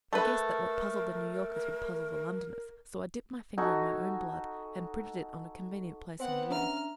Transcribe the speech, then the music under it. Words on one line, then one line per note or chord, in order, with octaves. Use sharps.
I guessed that what puzzled the New Yorkers would puzzle the Londoners, so I dipped my finger in my own blood and printed it on a convenient place on the wall.
A3 A#4 B4
D#4 F#4 A4 G#5
B3 C4 F#5
C#3 D4 E5 A#5 F6